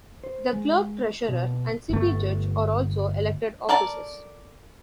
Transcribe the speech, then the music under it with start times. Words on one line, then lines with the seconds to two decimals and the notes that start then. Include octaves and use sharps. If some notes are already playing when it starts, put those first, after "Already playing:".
The clerk-treasurer and city judge are also elected offices.
0.24 C5
0.53 G#3
1.28 B2
1.89 G1 A3
3.69 A4 A#4 D5 A5